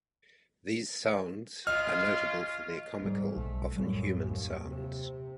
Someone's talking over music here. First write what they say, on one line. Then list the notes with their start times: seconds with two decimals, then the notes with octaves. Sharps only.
These sounds are notable for their comical, often human sounds.
1.67 C#4 F4 D#5 F6
3.02 G#2 G3 A3
3.36 B1 A3
3.76 F#2 A2 G3
4.30 D#2
4.64 C3